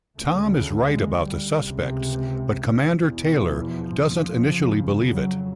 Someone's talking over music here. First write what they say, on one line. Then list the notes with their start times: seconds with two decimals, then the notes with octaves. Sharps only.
Tom is right about the suspects, but Commander Taylor doesn't initially believe it.
0.18 D2 C#3 A3
0.87 G#3
1.23 G3
1.58 C#2 C3
2.98 E2 B2
3.33 F3
3.68 F3
4.38 F2 C#3
5.09 F#3